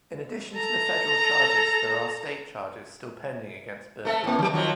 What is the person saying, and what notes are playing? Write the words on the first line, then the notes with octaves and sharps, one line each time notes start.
In addition to the federal charges, there are state charges still pending against Burt.
A4 A#5
A3 A4 E5
A2 A#3
D3 F#3
D#3 F3 F#3